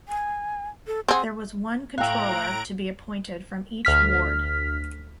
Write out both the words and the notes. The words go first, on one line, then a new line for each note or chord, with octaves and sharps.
There was one Controller to be appointed from each ward.
G#5
A4
C4 G#4 F#5
A2 F5 G5 A#5 E6 F#6 D7
D2 F6 B6